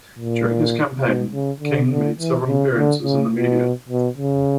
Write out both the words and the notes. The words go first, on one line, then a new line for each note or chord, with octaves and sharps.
During his campaign, King made several appearances in the media.
A#2
B2
C#3
D3
D3
E3
C#3
D3
C#3
B2
B2
C#3